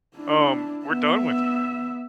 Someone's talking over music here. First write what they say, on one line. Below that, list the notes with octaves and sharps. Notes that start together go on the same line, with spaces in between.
um, we're done with you.
D4 E4
B3 E5